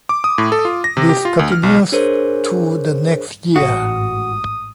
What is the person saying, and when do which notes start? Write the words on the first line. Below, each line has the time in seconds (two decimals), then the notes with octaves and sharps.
This continues to the next year.
0.09 D6
0.24 D#6
0.38 A2
0.52 A4
0.65 F4
0.84 A#6
0.97 C3
1.09 G4
1.25 F4
1.39 D2
1.52 F6
1.63 B1
1.92 D4 G#4 A#4 C5 C#5
3.56 A1 G#2 F#4 D#6